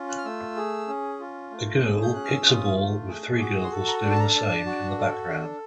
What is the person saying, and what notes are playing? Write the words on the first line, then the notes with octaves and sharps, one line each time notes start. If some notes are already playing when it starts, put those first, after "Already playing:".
A girl kicks a ball with three girls doing the same in the background.
Already playing: C#4 F4
F#6
F6
A3 E6
G#4
C#4
F4
A3
G#4
G6
C#4 F#6
F6
E6
F4 D#6
A3
G#4
F#4 D6
C6
A4
A#5
D4
A5
A#5
A5
D4
F#4
A4
D4